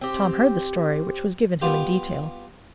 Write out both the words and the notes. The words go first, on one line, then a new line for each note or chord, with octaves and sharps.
Tom heard the story, which was given him in detail.
C4 G4
G3 B3 F4 G4